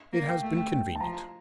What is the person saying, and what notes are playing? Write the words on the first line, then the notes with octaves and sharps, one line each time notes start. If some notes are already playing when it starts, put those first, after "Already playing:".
It has been convenient.
A#3
G5
A3
G5
G5
A5
F3 A#5